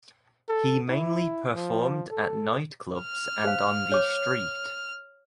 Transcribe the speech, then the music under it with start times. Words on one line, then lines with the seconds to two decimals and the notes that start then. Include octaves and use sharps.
He mainly performed at nightclubs and on the street.
0.49 A4
0.88 E4
1.55 F3
2.11 A4
3.00 F6
3.45 C5 F5
3.92 C#5 D6